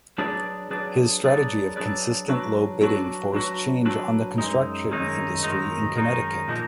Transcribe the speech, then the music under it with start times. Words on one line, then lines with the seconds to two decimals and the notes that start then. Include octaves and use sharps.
His strategy of consistent low bidding forced change on the construction industry in Connecticut.
0.18 F#3 D4 G#4 B4 D5
0.70 F#3 D4 G#4 B4 D5
1.23 F#3 D4 G#4 B4 D5
1.76 F#3 D4 G#4 B4 D5
2.28 F#3 D4 F#4 B4
2.81 F#3 D4 F#4 B4
3.33 F#3 D4 F#4 B4
3.85 F#3 D4 F#4 B4
4.38 F#2 D#3 G#3 D#4
4.91 F#2 D#3 G#3 D#4
5.43 F#2 D#3 G#3 D#4
5.96 F#2 D#3 G#3 D#4
6.48 A#2 F3 A#3 D#4 A#4